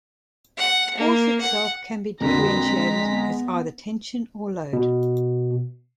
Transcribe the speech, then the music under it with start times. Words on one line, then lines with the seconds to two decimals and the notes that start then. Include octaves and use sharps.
Force itself can be differentiated as either tension or load.
0.58 F#5
0.97 A#3
1.41 F#5
2.21 F2 A#2 D3 B3 F#4 A#5 B6
2.62 G#3
3.11 B3
4.73 B2